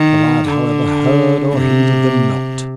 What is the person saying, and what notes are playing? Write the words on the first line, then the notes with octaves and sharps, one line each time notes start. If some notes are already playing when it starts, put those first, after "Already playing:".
The lad, however, heard or heeded them not.
Already playing: D#3
D3
C3